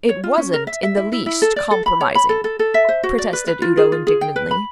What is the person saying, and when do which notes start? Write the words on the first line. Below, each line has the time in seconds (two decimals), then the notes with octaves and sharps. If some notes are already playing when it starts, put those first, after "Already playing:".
"It wasn't in the least compromising," protested Udo indignantly.
0.09 C#5
0.24 F4
0.38 C#4
0.54 A#4
0.67 E5
0.83 E5
0.97 E4
1.12 E4
1.26 E4
1.42 A4
1.56 D5
1.71 A4
1.86 B5
2.01 C#5
2.15 B5
2.29 A4
2.44 A4
2.59 A4
2.74 E5
2.89 C5
3.03 F#4
3.18 D5
3.33 B4
3.47 B4
3.62 F4
3.77 G#4
3.92 F4
4.07 G#4
4.21 G5
4.36 B4
4.51 B5